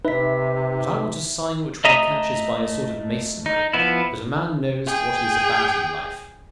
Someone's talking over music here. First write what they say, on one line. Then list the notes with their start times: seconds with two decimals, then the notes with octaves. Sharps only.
But I want a sign which one catches by a sort of masonry, that a man knows what he is about in life.
0.05 C3 D#4 B4 E5 B6
1.84 A3 D#5 E5 A#5 D#6
3.46 D#4
3.73 F3 B3 E4
4.87 G#4 G5